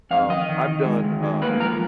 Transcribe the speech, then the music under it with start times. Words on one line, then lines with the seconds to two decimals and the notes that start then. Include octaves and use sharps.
Um, I've done, um
0.11 F2 F5
0.30 D#3 D#5
0.49 D#3
0.67 D#3
0.85 G#3
1.04 D#3
1.23 G#3
1.42 A#3 B4
1.60 F3 A#4